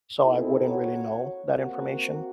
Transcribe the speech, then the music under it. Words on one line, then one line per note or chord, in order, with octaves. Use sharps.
so, I wouldn't really know that information.
A#2 C4 D#4 E4 A4
F#4 C#5
A#3 C4 F#4